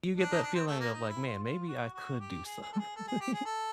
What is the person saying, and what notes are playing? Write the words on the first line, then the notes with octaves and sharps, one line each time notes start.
you get that feeling of like, "Man, maybe I could do something."
D4
D#4
D4
C4
A3
A#3
D#4
E4
F4
F4
F#4
F#4
G4
G#4
G#4
A4
G#4
A4
G#4
G4
G#4
A4